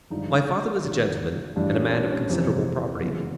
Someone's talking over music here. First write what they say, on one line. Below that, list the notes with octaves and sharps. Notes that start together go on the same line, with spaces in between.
My father was a gentleman, and a man of considerable property.
G#1 G2 D3 F3 D#4
G#1 G#2 D#3 G#3
A1 G2 E3 G3 D4
C#4
D4
C#4
F2 C3 E3 C4
F#1 F#2 C#3 E3 G#3 B3